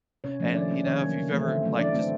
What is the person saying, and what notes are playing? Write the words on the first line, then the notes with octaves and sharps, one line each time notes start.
and, you know, if you've ever, like, just
C3 C#4 C#5
F3 A3 C#4
D#3 D4 D5
G3 A#3 C#4
D#3 C#4 C#5
F#3 A#3
C#3
E3 A3 C4
D3
F#3 A3
E3 D4 D5
A3 C4